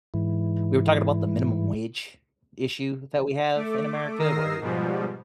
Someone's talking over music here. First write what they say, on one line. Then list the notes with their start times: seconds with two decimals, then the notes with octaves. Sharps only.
we were talking about the minimum wage issue that we have in America where
0.14 G#2 E3
3.55 A3 D6
4.18 D#3 A#4 D#6 E6 A#6 C7
4.61 G#2 B2 F3 G3